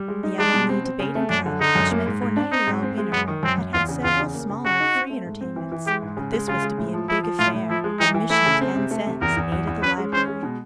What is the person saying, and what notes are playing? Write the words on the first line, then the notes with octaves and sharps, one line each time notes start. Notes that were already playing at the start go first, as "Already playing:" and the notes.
The Avonlea Debating Club, which met fortnightly all winter, had had several smaller free entertainments; but this was to be a big affair, admission ten cents, in aid of the library.
Already playing: G3
G#3
D#4
G#3 D4
B2
C4
C4
C#3
A3
F#2 D4
D3
D3 D#4
F#2
A#3
G#2
G#2
D4
C4 D#4
G#2
C4
G#3
F#2 B3
D#3
F#2 C4
F#2
E2 F4
C#3
E2 F4
C#3
A#3
C#3
C#3 F#4
D#4
C4
A3
G#2
C4
E3
E3
G#3 G4
G#2
C#3
G#3
C#3 F4
G#3
A2
F3
F3 E4
F3
A2 F4
A2
F3 E4
G#3
E3 D#4
E3
A3 E4
C#3
C4
C3
A3
C3
E2 A#4
E2
E2
E2
C#4 B4
G#3
C#4 C5
G#3
B2